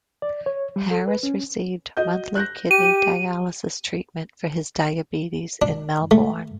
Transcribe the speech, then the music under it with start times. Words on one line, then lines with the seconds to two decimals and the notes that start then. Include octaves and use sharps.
Harris received monthly kidney dialysis treatment for his diabetes in Melbourne.
0.22 D5
0.46 C#5
0.76 G3
0.91 A4
1.08 B4
1.23 C#4
1.97 F#4 D#5 G6
2.35 F#6 G6 A#6
2.71 G4 D#7
5.62 D4
6.11 A3